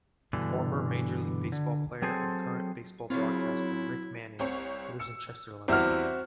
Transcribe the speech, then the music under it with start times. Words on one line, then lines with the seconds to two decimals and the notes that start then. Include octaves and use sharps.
Former Major League Baseball player and current baseball broadcaster Rick Manning lives in Chesterland.
0.33 G2 B2 D3 E3
1.52 D3
2.02 F#3 C4 G#4 A4 C5
3.10 C#3 F#3 C4 E4 F4 C#5
4.39 C2 C4 C#5
4.99 E6 C#7
5.68 E2 G3 C4 F#4 E5 F6